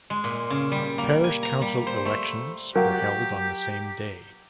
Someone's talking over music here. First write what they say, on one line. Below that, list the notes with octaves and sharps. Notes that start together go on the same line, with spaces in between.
Parish council elections were held on the same day.
G#3
A#2
C#3
G3
A#3
G#5
A#5
G3
C5
A3
F#3 G4 A#4 F5 G5